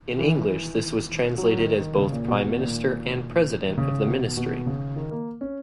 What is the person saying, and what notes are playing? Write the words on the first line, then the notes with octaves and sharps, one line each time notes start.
In English this was translated as both Prime Minister and President of the Ministry.
E3
F#3
D#3
D#3
C#3
A#2
B2
B2
A#2
D#3
C#3
B2
B2
C#3
D#3
A#3
C#4